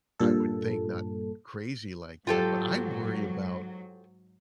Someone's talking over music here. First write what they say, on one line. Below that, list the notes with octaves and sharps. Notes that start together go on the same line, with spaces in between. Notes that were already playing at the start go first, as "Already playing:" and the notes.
I would think not crazy like that, but I worry about,
G2 A#2 A4
G#2 F#3 F4 G4 A4